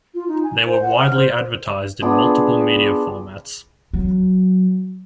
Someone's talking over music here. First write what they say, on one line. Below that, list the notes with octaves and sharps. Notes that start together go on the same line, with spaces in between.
They were widely advertised in multiple media formats.
F4
D#4
G#5
C5
F#5
F6
C5
B3 D4 F4 G#4
F#3